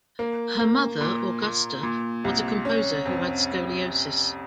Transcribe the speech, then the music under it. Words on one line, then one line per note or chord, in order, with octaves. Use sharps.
Her mother, Augusta, was a composer who had scoliosis.
A#3
A#3
A#2
A#2
A#2
C2
C#4
F2